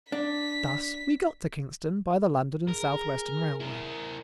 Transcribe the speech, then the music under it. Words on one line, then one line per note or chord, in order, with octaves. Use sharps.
Thus we got to Kingston by the London and South-Western Railway.
D4 B6
G#4 A#4
E4 A#4